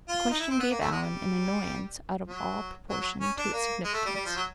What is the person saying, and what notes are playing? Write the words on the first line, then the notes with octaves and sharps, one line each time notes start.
The question gave Alan an annoyance out of all proportion to its significance.
F4
D#4
E4
C4
B3
A#3
A3
G#3
G3
F#3
F#3
F#3
C#4
D4
A#3
G#3
A3
G3
G3
F3
F#3